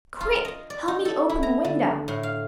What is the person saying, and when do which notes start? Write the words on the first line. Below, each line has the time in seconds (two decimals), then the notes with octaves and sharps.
"Quick, help me open the window."
0.21 F4
0.45 D#5
0.70 D5
0.88 D#4
1.05 A4
1.29 E4
1.43 A#5
1.65 D3
2.08 A2
2.23 F5